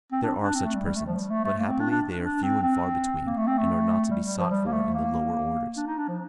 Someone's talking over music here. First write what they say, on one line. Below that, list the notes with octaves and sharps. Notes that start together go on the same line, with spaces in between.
There are such persons, but happily they are few and far between, and are not to be sought for in the lower orders.
C4
D4
D4
C4
A3
G3
G3
A3
F3
G3
A3
A3
A#3
C4
D4
D4
D4
C4
C4
A#3
A3
C4
A3
G3
G3
F3
G3
A#3
A3
A#3
D4
D#4
D4
F3